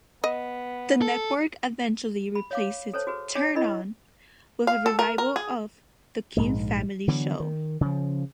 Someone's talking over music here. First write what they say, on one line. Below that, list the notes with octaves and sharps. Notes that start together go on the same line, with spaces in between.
The network eventually replaced "Turn On" with a revival of "The King Family Show".
B3 D#5
A4
B5
C#5 F5 D6
A4 C5 C#5 A5
F#4 G#4 B4
D4 C#5 G#5 D6
D4 E4 A#4 D#5 B5
F5
A4
A#4
A#4
G#4
A#1 G#2 G#3
D3 E3 F#3 B3
D#3
C#3 F3